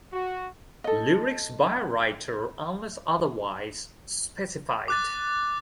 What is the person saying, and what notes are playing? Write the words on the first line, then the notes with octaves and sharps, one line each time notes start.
Lyrics by writer unless otherwise specified.
F#4
A4 D#5
D6 F#6 A6